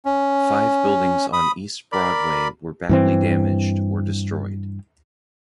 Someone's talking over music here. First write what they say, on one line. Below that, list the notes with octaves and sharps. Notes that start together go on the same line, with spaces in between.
Five buildings on East Broadway were badly damaged or destroyed.
C#4
B5 D#6
A#4 D5 B5
G2 E3 C4